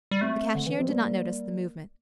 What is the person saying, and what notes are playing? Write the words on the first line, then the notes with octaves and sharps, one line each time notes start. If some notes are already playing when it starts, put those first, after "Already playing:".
The cashier did not notice the movement.
G3
A3 C4
D3
E3
F3 C4
G3 A#3